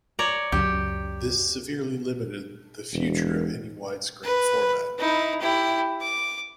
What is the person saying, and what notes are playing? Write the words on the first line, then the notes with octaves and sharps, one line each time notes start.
This severely limited the future of any widescreen format.
C#5 D5 A#5
C#2 F#2 C#3 G4
E1
B4
D#4 E4
E4 G4
D6